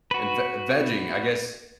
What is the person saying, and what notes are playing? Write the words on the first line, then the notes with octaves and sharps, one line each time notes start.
and v vegging, I guess,
F#4 B4